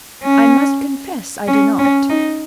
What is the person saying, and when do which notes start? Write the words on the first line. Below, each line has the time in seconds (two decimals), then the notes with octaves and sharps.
"I must confess I do not."
0.23 C#4
1.47 C#4
1.79 C#4
2.10 D#4